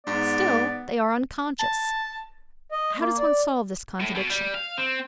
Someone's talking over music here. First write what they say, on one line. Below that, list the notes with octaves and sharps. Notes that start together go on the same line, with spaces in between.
Still they are unconscious; how does one solve this contradiction?
G#2 B3 D5
A5
D#5
A#3
D5
A2
B2
G3
F5
C4